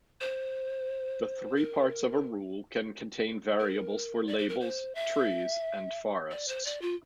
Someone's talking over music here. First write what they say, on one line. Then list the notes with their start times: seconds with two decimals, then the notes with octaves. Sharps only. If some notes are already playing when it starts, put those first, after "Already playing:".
The three parts of a rule can contain variables for labels, trees, and forests.
0.21 C5
1.56 A#4
3.60 A#4
4.27 D5
4.38 C5
4.49 A#4
4.61 C5
4.95 E5
6.31 D5
6.48 C5
6.65 D5
6.82 F4